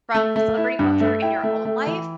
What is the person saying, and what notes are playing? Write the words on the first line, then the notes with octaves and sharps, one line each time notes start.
from celebrity culture in your own life,
A3
A3
E4
G2
A3
E4 G5
A3
A3
E3